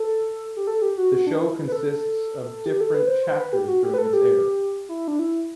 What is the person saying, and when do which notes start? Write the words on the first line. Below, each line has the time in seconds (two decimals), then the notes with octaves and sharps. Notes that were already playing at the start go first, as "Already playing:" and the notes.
The show consists of different chapters during its air.
Already playing: A4
0.57 G4
0.67 A4
0.82 G4
0.97 F#4
1.13 F#4
1.27 D4
1.42 E4
1.68 B4
1.72 A4
2.66 G4
2.81 A4
2.94 B4
3.07 C5
3.23 C5
3.38 B4
3.53 G4
3.68 F#4
3.83 G4
3.94 B4
3.98 A4
4.13 G4
4.89 E4
5.08 D4
5.19 E4